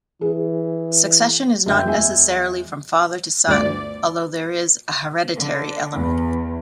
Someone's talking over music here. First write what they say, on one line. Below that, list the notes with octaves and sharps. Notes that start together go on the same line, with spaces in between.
Succession is not necessarily from father to son, although there is a hereditary element.
E3 G#4
F#2 D3 E5 G5 G6
E2 G#3 E5 G#5
G1 D2 D5
D3
E2